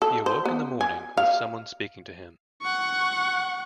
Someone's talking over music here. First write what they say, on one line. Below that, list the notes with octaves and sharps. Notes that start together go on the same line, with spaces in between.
He awoke in the morning with someone speaking to him.
A4
C5
B3
G#5
F5
F#5 C#6